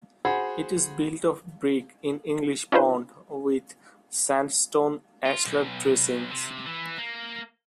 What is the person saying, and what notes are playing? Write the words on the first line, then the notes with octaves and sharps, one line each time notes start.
It is built of brick in English bond with sandstone ashlar dressings.
F#4 G#4 C5 F#5 B5
C#4 D#4 F4 B4 C5
F4
B1
C3
E3
A#3